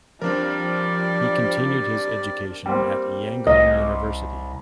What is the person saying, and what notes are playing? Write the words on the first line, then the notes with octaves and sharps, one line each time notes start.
He continued his education at Yangon University.
F3 G3 C4 D4 A#4 D5
G3 A#3 C4
C2 D#5